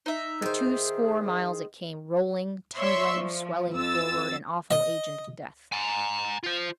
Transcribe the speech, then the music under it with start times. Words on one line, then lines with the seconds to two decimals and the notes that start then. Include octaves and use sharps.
For two score miles it came rolling, tumbling, swelling forward, an awful agent of death.
0.06 D#4 E5
0.42 D#3 G#4 C5
2.78 C#5 D5 E5 C6 C#6 E6
3.17 F3
3.74 F2 E6 A6
4.71 D#5
5.72 G#5 A#5
6.43 F4 C5